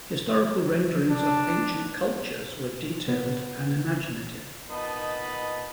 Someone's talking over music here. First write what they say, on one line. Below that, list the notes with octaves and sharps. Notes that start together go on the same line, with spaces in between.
Historical renderings of ancient cultures were detailed and imaginative.
D4
B3
A#2 B3 D#4 D#5 A5 B5